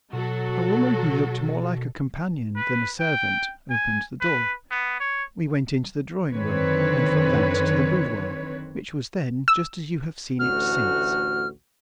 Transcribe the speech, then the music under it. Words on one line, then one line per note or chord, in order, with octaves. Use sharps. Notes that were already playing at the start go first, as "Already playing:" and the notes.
A woman who looked more like a companion than a servant opened the door. We went into the drawing-room, and from that to the boudoir, which was then just as you have seen it since.
B2 F#3 F#4 A4
B4
G5
G#5
B4
B3
C#5
F#2 D3 D#3 C4 B4 C#5
E6
A1 D2 F#4 F6